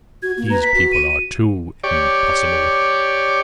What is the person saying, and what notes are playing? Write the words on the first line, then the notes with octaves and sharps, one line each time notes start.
These people are too impossible.
F#4 G#6
A#3
B4 A#5
B6
F#4
D#7
G4 C#5 D5